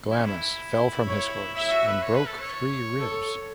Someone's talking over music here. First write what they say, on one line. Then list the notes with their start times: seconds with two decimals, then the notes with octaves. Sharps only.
Glamis fell from his horse and broke three ribs.
0.11 E4
0.18 C#4
0.25 E4
1.07 C#5
1.54 E4 E5
1.71 F#4
1.88 B4
2.03 C#5
2.15 B4
2.27 A4
2.39 C#5
2.99 A4